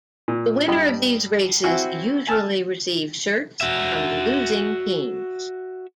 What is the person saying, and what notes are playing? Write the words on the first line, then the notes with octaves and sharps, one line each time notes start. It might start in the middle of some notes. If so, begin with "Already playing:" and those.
The winner of these races usually receive shirts from the losing teams.
A#2
G2 G3 D#5 B5
C4 E4 F#4 G#5
G#5 A5 E6 F6
F#4 E5